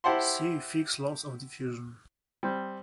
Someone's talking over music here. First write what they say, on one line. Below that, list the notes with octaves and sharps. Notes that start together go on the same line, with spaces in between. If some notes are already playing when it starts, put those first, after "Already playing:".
See Fick's laws of diffusion.
E4 G4 C5 F#5 A5 C6
G3 C4